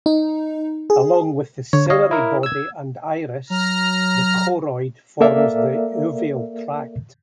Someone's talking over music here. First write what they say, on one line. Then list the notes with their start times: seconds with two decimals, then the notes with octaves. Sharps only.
Along with the ciliary body and iris, the choroid forms the uveal tract.
0.06 D#4
0.90 G#4
1.73 D3 C#5
1.90 C#5 D#5 F5
2.11 E4 A#4
2.43 E6 G#6
3.50 F#3 A#5 F6
5.20 A#3 A4 A#4 D5 E5 F5